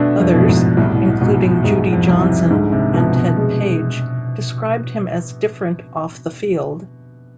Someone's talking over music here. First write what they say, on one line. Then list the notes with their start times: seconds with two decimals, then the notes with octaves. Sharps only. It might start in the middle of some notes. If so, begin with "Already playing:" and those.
Others, including Judy Johnson and Ted Page, described him as different off the field.
Already playing: B2 D3 A3 D4
0.20 F2
0.34 B2
0.40 A2
0.49 G#2
0.77 C2 A2
1.21 G#2 B2
1.64 G#2 G#3
1.93 F2
2.08 C2
2.22 C3
2.50 G#2 D3
2.72 C3
2.94 B2 F3
3.16 B2
3.37 G#3